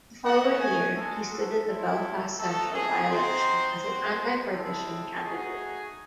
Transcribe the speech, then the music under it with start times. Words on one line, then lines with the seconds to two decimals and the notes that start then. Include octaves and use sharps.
The following year, he stood in the Belfast Central by-election as an "Anti-Partition" candidate.
0.24 A3 D#4 F#4 F#5
0.59 G#5
0.95 G#3 D#4 F#4 A4
1.31 A4
1.66 C4 E4 A4
2.38 A3 D#4 F#4 A4
2.74 G#4
3.09 C4 D#4 F#4 C5
3.81 C4 F#4
4.52 G#3 C4 E4 A4
5.24 A3 D#4 F#4 G#4